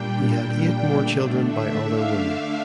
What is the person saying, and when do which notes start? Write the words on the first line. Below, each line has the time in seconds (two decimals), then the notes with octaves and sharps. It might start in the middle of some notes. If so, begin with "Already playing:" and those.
He had eight more children by other women.
Already playing: A#2 G3 D4 G5
1.03 D3 A3 D4
1.47 E5
1.91 F5
2.20 F5